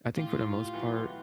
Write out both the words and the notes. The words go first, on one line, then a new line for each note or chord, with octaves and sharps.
I think for the most part
A2 F4 G4
B1 E3 F#4